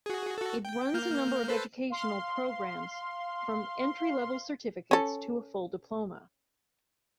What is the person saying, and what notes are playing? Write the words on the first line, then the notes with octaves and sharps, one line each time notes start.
It runs a number of educational programmes, from entry-level certificates to a full diploma.
F#4 G#4
F#4 A4
G5
A#3 F6 G6
A4 B4 C5
F5 C6
C#4 A4